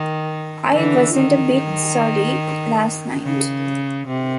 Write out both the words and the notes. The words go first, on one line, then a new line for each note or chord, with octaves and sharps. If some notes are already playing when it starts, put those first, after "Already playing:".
I wasn’t a bit sorry last night.
Already playing: D#3
D3 E3
D#3
C#3
C3